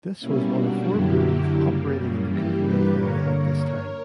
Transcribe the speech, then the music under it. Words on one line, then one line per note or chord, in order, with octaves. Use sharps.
This was one of four breweries operating in the Kootenay area at this time.
B2 G3 A#3 C#4 E4
D4 F#4
F#2 D3 F#3 A#3 E4 G4
F#2 C#3 G3 A#3
G2 E3 G3 A#3 E4 G4
G4 B4
G2 D3 A#3 A#4 C#5